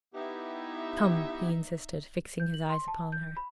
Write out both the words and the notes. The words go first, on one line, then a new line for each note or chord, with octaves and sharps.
"Come," he insisted, fixing his eyes upon her.
B3 D#4 E4 G4 E5
G6
F#7
C6
A5
G6
B5